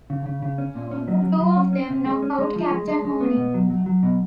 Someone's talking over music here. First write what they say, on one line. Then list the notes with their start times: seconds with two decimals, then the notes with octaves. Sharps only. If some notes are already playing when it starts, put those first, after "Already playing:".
The two of them knock out Captain Mooney.
0.10 C#3
0.26 C#3
0.42 C#3
0.58 C#4
0.75 A#2
0.91 C#4
1.08 F#3
1.23 F#3
1.40 F#3
1.57 C#4
1.73 C#4
1.90 C3
2.06 G#3
2.22 C#4
2.38 G#3
2.56 F3
2.71 G#3
2.87 G#3
3.05 G#3
3.21 B3
3.37 B2
3.54 F#3
3.70 F#3
3.86 F#3
4.03 B2